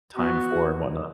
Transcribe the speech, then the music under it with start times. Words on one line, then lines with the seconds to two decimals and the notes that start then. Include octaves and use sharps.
time for and whatnot.
0.16 B3 F#4